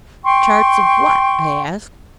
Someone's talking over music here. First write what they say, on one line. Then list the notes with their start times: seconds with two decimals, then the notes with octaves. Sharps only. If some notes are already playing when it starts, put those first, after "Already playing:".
"Charts of what?" I asked.
0.24 G5 C6 C#6